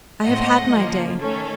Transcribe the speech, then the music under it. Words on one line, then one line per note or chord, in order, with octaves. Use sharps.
I have had my day.
A2 A3 C4 D#5 F#5
C#3 F3 A#3
D#3 A3 C#4 A4